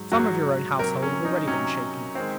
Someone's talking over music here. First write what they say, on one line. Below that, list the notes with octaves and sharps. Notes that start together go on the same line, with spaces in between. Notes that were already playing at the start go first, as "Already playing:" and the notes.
Some of your own household have already been shaken.
Already playing: G#2 F#3
G#2 F#3 F#4
C3 F#3 A#4
C#4
D#4
C3 F#3 C#4
D#3 G#3 C4